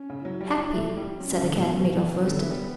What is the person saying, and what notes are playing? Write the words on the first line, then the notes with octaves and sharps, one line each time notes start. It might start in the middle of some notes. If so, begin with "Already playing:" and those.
"Happy!" said the Cat-made-of-worsted.
Already playing: C#4
C#3
F#3 E4
G3
A3
G3
F#3 C#4
E3
C#3
D3
B2
C#3 B3
D3
E3
G3